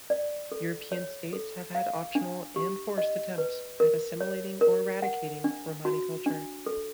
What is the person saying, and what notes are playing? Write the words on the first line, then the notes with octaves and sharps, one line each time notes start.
European states have had optional and forced attempts at assimilating or eradicating Romani culture.
D5
A4
C#5
A4
F5
D4
G4
D#5
B4
A#4
C#5
A#4
F#5
D4
F#4
D4
A4